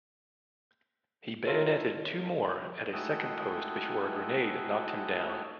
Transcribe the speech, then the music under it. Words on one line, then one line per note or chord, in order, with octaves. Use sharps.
He bayoneted two more at a second post before a grenade knocked him down.
E4 F4 A4 A#4 C#5
G#3 A3 D#4 E4 F#4 G5